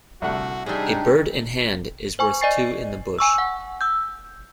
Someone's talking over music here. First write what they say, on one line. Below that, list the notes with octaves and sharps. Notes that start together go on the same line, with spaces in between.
A bird in hand is worth two in the bush.
C2 D3 A3 F#4 F#5
C3 G3 D4 D#4 G#4
C5 G#5 C#6
D5 D#5 G#5 A6 C7
G#5 C#6 E6
F#5
E6 G6